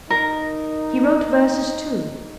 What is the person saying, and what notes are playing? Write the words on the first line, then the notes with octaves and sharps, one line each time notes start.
He wrote verses too.
D#4 A#4